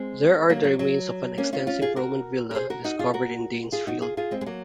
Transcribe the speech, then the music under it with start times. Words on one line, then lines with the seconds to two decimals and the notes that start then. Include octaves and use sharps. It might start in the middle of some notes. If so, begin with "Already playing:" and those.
There are the remains of an extensive Roman villa discovered in Danes Field.
Already playing: G#3 C4
0.49 F#3 A#3
0.64 F#3
0.79 F#3
1.38 A#3 C#4
1.53 C#4 F4
1.67 C#4 F4
1.82 F4 G#4
1.96 F#4 A#4
2.51 A#4
2.55 G#4 C5
2.70 F#4 A#4
2.84 D#4 F#4
2.99 F4 G#4
3.14 F#4 A#4
3.72 F4 G#4
3.87 D#4 F#4
4.02 F4 G#4
4.17 F4 G#4
4.31 G#3 C4
4.41 G#3
4.46 F#3 A#3